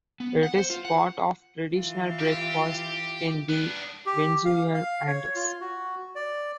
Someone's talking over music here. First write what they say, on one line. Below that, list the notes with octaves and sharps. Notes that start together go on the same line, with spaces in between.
It is part of traditional breakfasts in the Venezuelan Andes.
B3
F#5
C5
F4
F#5
E3 F4
G4
B3 D4
G4
F5
F5
C#5
F4
F#4
D5